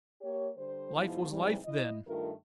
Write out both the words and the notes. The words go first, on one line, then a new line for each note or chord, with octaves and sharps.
Life was life then!
A#3 G4 C#5
D3 G3 C5
G#2 B2 F3 E4
G#2 C3 E3 G3
E4 D#5
G2 D#3 A3 F4 A#4